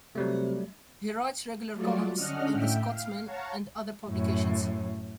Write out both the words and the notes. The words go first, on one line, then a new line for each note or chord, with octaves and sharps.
He writes regular columns in "The Scotsman" and other publications.
C3 F#3 G3 A3
F#3 G3 A3 F4 F#4 D5
D3 C#4 D4 D#5 F#5 F6
A2 E5 G5
F5
C#5 F5 F#5 A5 A#5 C#6
F#2 A2